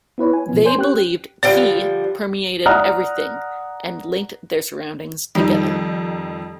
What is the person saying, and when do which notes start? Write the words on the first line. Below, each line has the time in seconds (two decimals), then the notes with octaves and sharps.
They believed "qi" permeated everything and linked their surroundings together.
0.18 B3 E4 B4 C#5
0.33 G#5
0.49 B2 F3 B3
0.64 A#4 C5 C#5 G#5 C6 G6
0.77 C#4 G4 G5 F#6
1.43 D3 F3 G3 D5 G5
2.66 D5 F#5 A#5 D#6 F6 F#6
5.35 F2 D#3 G3